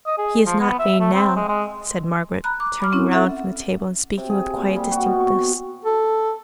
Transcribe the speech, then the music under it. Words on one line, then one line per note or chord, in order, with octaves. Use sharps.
'He is not vain now,' said Margaret, turning round from the table, and speaking with quiet distinctness.
D#5
G#4
F3
B3
E5
A3
C4
G#3
G#3
A#5 B5 F#6
D6
B5 D6 F6
C4 C#4 E4
A4 E5 F#5
C3
G#4
A#2
G3
F#4
B2
C#6
A4